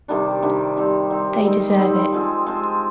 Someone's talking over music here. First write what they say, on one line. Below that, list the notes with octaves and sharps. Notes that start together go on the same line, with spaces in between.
They deserve it.
C3 D#3 G3 D4
C3 D#3 G3 D4
G3 C4 D#4
G3 C4 D#4
G3 C4 D#4
G3 C4 D#4
F3 G#3 C4
F3 G#3 C4